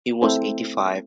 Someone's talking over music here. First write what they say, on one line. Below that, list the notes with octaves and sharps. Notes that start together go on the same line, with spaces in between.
He was eighty-five.
A3 C4 E4 A4 C5